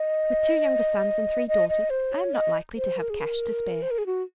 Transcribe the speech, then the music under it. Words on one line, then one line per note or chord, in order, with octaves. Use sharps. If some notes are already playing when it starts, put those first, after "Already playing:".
With two younger sons and three daughters, I am not likely to have cash to spare.
Already playing: D#5
D#5
D#5
C5
C#5
D#5
C5
A#4
G#4
A#4
C5
A#4
G#4
F#4